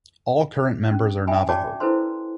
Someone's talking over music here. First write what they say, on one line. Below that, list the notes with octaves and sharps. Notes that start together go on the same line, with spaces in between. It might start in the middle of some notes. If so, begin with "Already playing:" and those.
All current members are Navajo.
C#4
E5 G5 G#5 B5
F#4 C#5 D5 G5 A5 D6
E4 A4 B4 C5 C6